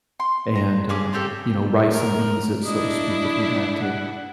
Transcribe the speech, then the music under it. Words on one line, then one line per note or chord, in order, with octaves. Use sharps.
and, um, you know, rice and beans it, so to speak, if we'd had to.
C6
A#5
C#4 G#4 D6
C4 F4 G4 A4
A#4
D4 E4 D#5
F#5